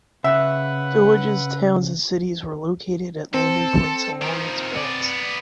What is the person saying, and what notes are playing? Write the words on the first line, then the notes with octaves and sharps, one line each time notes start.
Villages, towns, and cities were located at landing points along its banks.
C#3 B4 E5 F#5
C4 A4
D#3 F3
B3 D5